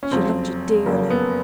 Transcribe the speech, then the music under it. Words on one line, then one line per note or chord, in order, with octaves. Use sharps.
She loved yo' dearly.
C#4
F#1 F2 C#3 F#3 C4
F#1 F2 C#3 F#3 A#3
B3